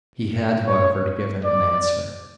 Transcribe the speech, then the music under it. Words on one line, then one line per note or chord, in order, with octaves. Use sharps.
He had, however, to give him an answer.
C#5
D5